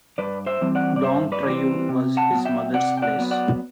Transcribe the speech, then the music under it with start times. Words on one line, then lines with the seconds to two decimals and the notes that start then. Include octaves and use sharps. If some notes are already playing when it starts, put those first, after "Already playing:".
Dong Trieu was his mother's place.
0.18 G2 B4 D5
0.46 C5 E5
0.61 E3 G3 C4
0.75 D5 F#5
0.96 D5
1.03 G2 C5 E5
1.32 B4 D5
1.46 E3 G3 C4
1.89 C3
2.17 F#5 A5
2.31 F#3 B3
2.45 E5 G5
2.74 C3 D5 F#5
2.97 G5
3.02 D5 F#5
3.17 F#3 B3
3.31 D5 F#5